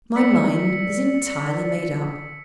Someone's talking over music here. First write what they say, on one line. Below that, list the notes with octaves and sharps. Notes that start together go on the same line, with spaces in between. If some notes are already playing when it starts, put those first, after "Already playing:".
My mind is entirely made up.
D5 E6 B6 C#7